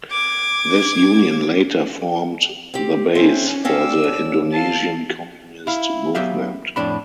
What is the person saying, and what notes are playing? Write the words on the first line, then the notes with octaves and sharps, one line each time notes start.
This union later formed the base for the Indonesian communist movement.
D6 G#6
C4 G4
C4 C#4 C5 E5
C4 C#4 D5 F5 E6
D#2
F5 A5
E4 F5
F#3 B3 G4 E5 F5
F2 A2 D4 B5